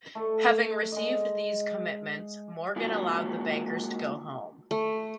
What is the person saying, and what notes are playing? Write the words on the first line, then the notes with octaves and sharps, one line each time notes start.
Having received these commitments, Morgan allowed the bankers to go home.
A3 A4
G#3 D#5
G#3 A#3 D#4 F4 F#4
A3